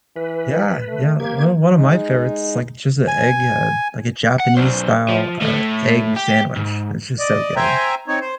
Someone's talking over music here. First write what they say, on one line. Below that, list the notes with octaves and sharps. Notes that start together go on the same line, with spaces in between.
Yeah. Yeah. Well, one of my favorites, like, just a egg, uh like a Japanese-style, uh, egg sandwich. It's just so good.
E3 B4
A3
A#3 G4 G#6
G#3 D#4
G#5
F#5
B1 C5
F3
A2 A3
G4
G#2
D5 D#5
C5 E5 G5 G#5 A#5
C4 D#4 C#5
C5